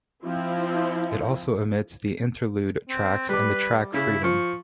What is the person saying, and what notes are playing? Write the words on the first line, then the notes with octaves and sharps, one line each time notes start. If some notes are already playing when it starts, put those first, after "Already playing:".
It also omits the Interlude tracks and the track Freedom.
F3 C4 E4
C4
G3 B4 D6
C#3 E4
F3 C#6